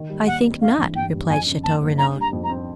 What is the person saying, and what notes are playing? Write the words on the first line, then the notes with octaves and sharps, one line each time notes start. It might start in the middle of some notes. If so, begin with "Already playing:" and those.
"I think not," replied Chateau-Renaud.
Already playing: D#3
G3
D#2 F#5
C4
G2 F5
E3
G1 G5
G3
F2 G#5
C#3
F#1 A5
F#1
D3 A#5
G3
A#5
F2
A#5
C4